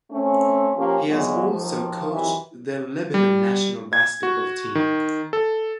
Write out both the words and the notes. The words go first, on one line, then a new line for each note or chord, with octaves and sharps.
He has also coached the Lebanon national basketball team.
A3 C4 C#4
F3 A#3 C#4 G4 A#4
E2 A#2 F#3 G#3 B3
D#2 F3
F#2 C3 D#3 E3
G3
G#6
F#4
D#3
A4